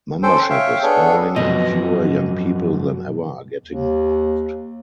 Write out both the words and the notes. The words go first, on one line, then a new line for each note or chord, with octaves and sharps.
Membership is falling, and fewer young people than ever are getting involved.
C#4 A4 C5 G5
C#5 E5 F5 G5
B3 D4 G#4 A4 C#5
F#2 B2 F3 D#5
D#2